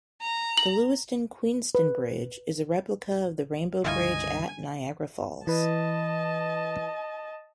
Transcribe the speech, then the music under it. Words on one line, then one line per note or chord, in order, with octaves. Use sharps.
The Lewiston-Queenston Bridge is a replica of the Rainbow Bridge at Niagara Falls.
A#5
F#7
B4
C#2 G2 D3 E4 F4 D#5 G#5 C#6
E3 B4 D#5 A5